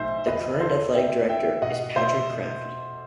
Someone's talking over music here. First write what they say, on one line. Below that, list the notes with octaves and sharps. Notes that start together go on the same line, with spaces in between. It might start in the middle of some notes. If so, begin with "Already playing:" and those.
The current athletic director is Patrick Kraft.
Already playing: B1 A2 C5 E5
E2 B4 D#5
D#3 A4 C5
D#3 E5 G5
D#3 E5 G5
B2 D#5 F#5
B2 C5 E5